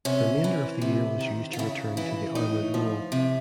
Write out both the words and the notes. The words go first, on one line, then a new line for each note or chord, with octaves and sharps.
The remainder of the year was used to return to the armoured role.
C3 C#4
E3
C3
D#3
F4
C#3 E4
E3 E4
A2 D#4
F3
C3